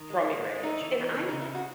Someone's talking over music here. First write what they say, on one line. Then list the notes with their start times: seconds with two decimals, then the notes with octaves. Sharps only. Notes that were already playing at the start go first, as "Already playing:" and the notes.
from your age, and I'm
Already playing: D#3
0.10 G#3
0.28 G#3
0.45 G#3
0.63 A3 D#4
0.81 E3
0.97 E3
1.15 C#3 C#4
1.28 D#4
1.32 C#3
1.42 E4
1.50 G#3 F#4